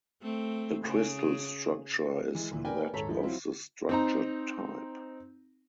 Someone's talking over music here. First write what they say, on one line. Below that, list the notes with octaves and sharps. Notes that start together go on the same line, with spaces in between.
The crystal structure is that of the structure type.
A3 C4
C#3 G#4
E3 G#3
D2 A#2 E3
A#4 B4 D5 G5 G#5
D#1 G#2 A4 C#5 A#5 B6
F3 G#3 A3 E4
F#3 C4 E4 F4
C4 D#4 A#5